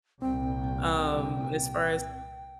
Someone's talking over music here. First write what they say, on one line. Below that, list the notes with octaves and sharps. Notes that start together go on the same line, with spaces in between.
um, as far as
C2 A#2 C4 G5